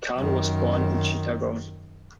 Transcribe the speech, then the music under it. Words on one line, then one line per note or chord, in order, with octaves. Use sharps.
Khan was born in Chittagong.
F#2 D#3